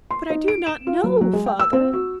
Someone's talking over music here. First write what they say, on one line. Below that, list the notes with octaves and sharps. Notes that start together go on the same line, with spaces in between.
"But I do not know, Father!"
C6
D#4
D7
E7
F4
F#3
F#3
G#3
G5
E6
C4
F#4